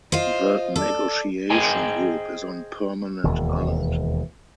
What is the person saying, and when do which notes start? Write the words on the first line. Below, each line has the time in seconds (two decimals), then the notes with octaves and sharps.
The Negotiation group is on permanent alert.
0.12 F4 C5 D#5
0.76 A4 D5
1.50 G#4 C5 D#5 G5 G#5
3.24 E1 D#2